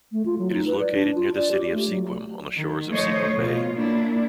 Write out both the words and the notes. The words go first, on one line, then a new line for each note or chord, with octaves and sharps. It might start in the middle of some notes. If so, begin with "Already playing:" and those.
It is located near the city of Sequim on the shores of Sequim Bay.
A3
F4
F#3
D#4
B4
D5
D4
F4
D5
G4
A3
F#3
D#3
F3 A3 C5 C#5 D#5
B2 F4
A#3 D4 E4